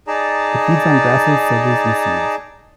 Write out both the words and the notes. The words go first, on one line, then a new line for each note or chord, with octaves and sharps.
It feeds on grasses, sedges and seeds.
D#4 G#4 D5 A5 A#5